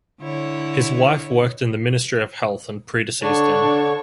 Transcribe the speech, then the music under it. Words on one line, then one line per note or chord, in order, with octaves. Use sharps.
His wife worked in the Ministry of Health and predeceased him.
D3 E4 C#5
D3 D4 C#5 C#6